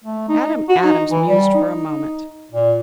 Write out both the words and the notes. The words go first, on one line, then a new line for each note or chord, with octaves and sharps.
Adam Adams mused for a moment.
A3
D#4
F#4
D#4
E3
G3
D#4
A#2